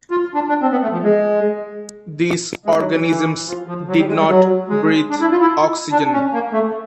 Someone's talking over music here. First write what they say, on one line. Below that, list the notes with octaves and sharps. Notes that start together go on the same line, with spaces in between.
These organisms did not breathe oxygen.
F4
D4
D4
C4
B3
A3
F3
G#3
G#3
F#3
E3
E3
F3
F3
F#3
G3
G#3
G3
F#3
G#3
D4
E4
F4
E4
D4
C#4
A#3
A3